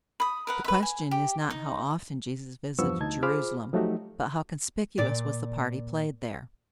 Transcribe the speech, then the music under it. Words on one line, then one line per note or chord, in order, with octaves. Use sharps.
The question is not how often Jesus visited Jerusalem, but how conspicuous was the part he played there.
B5 D#6
A#4 B4 F#5
B4 E5
G#5
G4
D#4
E2 G2 F3 B3 C#6 E6
D2 D#4 A5 G#6
F4 G#4 C5 B5 D6 F6
F3 F#3 A3 D#4 F#4 G4
A#2 D5